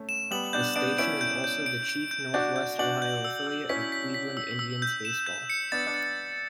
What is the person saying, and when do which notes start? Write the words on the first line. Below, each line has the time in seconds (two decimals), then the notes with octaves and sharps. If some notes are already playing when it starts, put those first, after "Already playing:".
The station is also the chief Northwest Ohio affiliate of Cleveland Indians baseball.
Already playing: A3 C#4
0.09 E7
0.31 G3 B3 F#7
0.53 B3 D4 G6
0.76 B3 D4 D7
0.98 C#4 E4 D7
1.21 G6
1.44 G6
1.66 D7
1.89 D7
2.11 G6
2.34 D4 F#4 G6
2.56 G6
2.79 D4 F#4 F#7
3.02 G6
3.25 E6
3.47 E6
3.69 C#4 E4 B6
3.92 B6
4.14 B6
4.37 E6
4.59 E6
4.82 G6
5.05 E7
5.26 G6
5.50 C#7
5.72 B3 D4 A6
5.87 D4